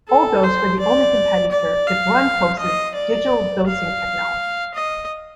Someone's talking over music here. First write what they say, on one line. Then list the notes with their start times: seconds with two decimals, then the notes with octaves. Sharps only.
Alldos were the only competitor to Grundfos's 'digital dosing' technology.
0.08 A4
0.44 C5
0.80 D5
1.51 D5
1.87 F5
2.59 D#5
2.96 D5
3.67 F5
4.75 D#5